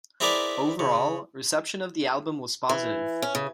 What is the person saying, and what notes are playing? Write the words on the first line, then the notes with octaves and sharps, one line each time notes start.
Overall, reception of the album was positive.
C4 E4 G#4 A#4 B4 D5
C#3
E3
C#4
C#3